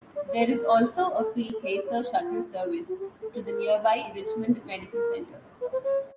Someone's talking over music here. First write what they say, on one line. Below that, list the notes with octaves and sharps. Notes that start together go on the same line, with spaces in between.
There is also a free Kaiser Shuttle service to the nearby Richmond Medical Center.
D5
C#5
B4
A#4
A4
A4
C#5
D5
C#5
B4
F4
F#4
G4
A4
B4
A#4
A4
A#4
B4
C5
C#5